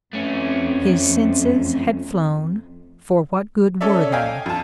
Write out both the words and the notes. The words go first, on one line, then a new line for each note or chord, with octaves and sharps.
His senses had flown, for what good were they!
F2 A3 C#4
C#4 A4 D5 E5
D#5 F5 G5 G#5
F2 A5